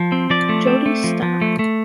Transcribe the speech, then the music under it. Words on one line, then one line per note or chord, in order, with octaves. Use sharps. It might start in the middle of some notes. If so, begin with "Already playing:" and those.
Jodi Sta.
Already playing: F3
C4
F3 D5
A3
C4
A3
F3
F3
A3
A3